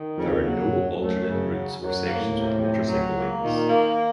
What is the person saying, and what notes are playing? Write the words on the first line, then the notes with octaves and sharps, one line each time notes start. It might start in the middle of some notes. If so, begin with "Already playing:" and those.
There are no alternate routes or sections with motorcycle lanes.
Already playing: D#3
F2 C#3
F#3
F#2
D#2
F#2 A3
C#3
F#3
F#2 F#3
A#3
A2
C3
C3
F#3
A#3
A#2 D#3
A#3